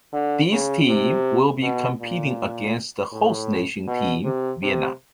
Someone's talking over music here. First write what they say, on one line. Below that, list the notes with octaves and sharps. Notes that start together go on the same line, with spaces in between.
These team will be competing against the host nation team Vietnam.
D3
C#3
C3
B2
A#2
A2
B2
C3
C3